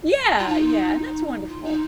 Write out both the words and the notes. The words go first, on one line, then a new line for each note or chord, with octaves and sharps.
Yeah. Yeah and that's wonderful.
F4
D#4
F4
D#4